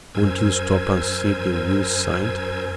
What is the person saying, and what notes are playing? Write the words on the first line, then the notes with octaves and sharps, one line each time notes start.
"Won't you stop and see the will signed?"
F#2 A#4 C5 G#5 E6 G#6